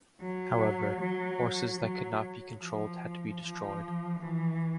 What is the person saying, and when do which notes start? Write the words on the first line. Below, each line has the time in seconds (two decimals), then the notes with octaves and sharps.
However, horses that could not be controlled had to be destroyed.
0.21 F#3
1.01 F#3
1.80 F#3
2.61 F3
3.41 F3
4.21 E3